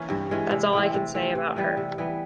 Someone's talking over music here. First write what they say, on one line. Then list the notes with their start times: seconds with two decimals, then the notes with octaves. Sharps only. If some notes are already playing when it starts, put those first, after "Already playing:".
That's all I can say about her.
Already playing: E3 A#3 C#4
0.10 G2
0.31 E3 G#3 C#4
0.52 C3
0.73 E3 A3 C4
0.94 C3
1.14 E3 A3 C4
1.35 C3
1.56 E3 G3 B3
1.77 C3
1.98 E3 G3 B3